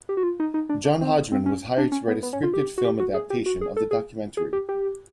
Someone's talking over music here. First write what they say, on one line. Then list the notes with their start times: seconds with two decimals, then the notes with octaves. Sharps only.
John Hodgman was hired to write a scripted film adaptation of the documentary.
0.09 G4
0.17 F#4
0.23 F4
0.40 D#4
0.54 D#4
0.69 D4
0.85 D4
1.01 C4
1.32 C4
1.46 C#4
1.78 D4
1.92 C#4
2.08 B3
2.23 B3
2.33 C#4
2.43 F4
2.54 G4
2.78 F#4
2.85 G4
3.00 F#4
3.14 G#4
3.30 G4
3.46 F#4
3.61 G#4
3.76 A4
3.91 G#4
4.37 G#4
4.53 G4
4.69 G4